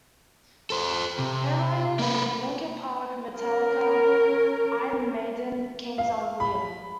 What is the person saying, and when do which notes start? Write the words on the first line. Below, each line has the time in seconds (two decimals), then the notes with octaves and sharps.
Headliners: Linkin Park, Metallica, Iron Maiden, Kings Of Leon.
0.70 A4 C5
1.19 C3
1.99 A#3 B4
3.38 C#4 A#4
5.98 F5
6.40 B5